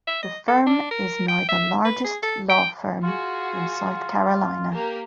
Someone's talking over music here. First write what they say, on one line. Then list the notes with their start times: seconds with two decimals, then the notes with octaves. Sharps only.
The firm is now the largest law firm in South Carolina.
0.07 E5
0.23 D#5
0.48 A4
0.66 D4
0.91 A#4
1.28 G5
1.48 E5
1.85 B4
2.04 G#4
2.23 A4
2.49 G5
3.03 F4 F#4 G#4
4.71 A#3 G4 A#4